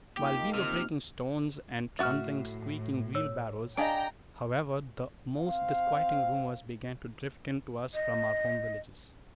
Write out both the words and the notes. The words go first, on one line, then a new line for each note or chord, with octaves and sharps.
While we were breaking stones and trundling squeaking wheelbarrows, however, the most disquieting rumors began to drift in to us from our home villages.
A#3 D#4 F4 G4 G5
C3 F6
A2 F#4 E5 F6 A6
C#5 E6
D4 G#4 D#5 F5 G5 A#5 D7
C4 F5
D#5